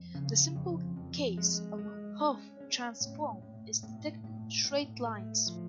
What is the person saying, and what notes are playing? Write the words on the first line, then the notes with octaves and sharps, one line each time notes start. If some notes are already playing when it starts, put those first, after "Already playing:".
The simplest case of Hough transform is detecting straight lines.
Already playing: F2
C#3
F2
F2
G#3
G#3
C#4
C#4
A2
A2
A2
A2
A2
A3
F3